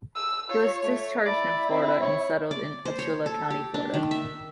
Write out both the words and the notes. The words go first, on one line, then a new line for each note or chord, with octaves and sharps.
He was discharged in Florida and settled in Alachua County, Florida.
E6
F4 C#5
A3
E4 D5
C4
C#5
D5
C5
C#5
A4
G4
D4
D#3
E5